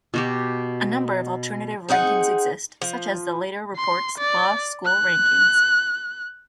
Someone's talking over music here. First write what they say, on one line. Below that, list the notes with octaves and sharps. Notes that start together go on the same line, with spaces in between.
A number of alternative rankings exist, such as the Leiter Reports Law School Rankings.
B2 F#4 G4
C4 D#4 G#4 F#5
F3
C6
D5
F#6